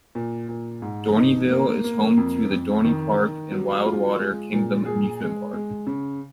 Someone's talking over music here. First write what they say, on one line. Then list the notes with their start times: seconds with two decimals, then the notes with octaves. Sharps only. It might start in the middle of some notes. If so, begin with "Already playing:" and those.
Dorneyville is home to the Dorney Park and Wildwater Kingdom amusement park.
0.15 A#2
0.49 A#2
0.82 G#2
1.17 D#4
1.50 A#3
1.84 A#3
2.17 F2
2.51 F2
2.84 D#3
3.19 D#3
3.52 F#3
3.85 F4
4.19 G#3
4.53 A#2
4.86 G#4
5.21 G#3
5.53 G#3
5.87 C#3